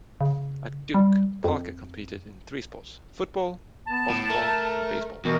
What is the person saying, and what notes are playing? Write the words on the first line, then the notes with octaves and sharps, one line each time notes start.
At Duke, Parker competed in three sports: football, basketball and baseball.
C#3
G3
F2
B3 A5
A2
A3 A#4
E2 B2 F#4 A#4